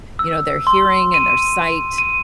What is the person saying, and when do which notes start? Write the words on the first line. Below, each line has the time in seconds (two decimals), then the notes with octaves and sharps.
you know, their hearing and their sight
0.19 E6
0.67 C6
1.14 D#7
1.98 D#7